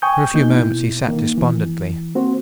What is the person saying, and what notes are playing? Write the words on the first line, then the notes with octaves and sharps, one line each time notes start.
For a few moments he sat despondently.
G5 G#5 C#6 D#6 G6
A#3 D#4 G6
B2 E4
D#3 A#3
E3
A#3 C4 F#4 C5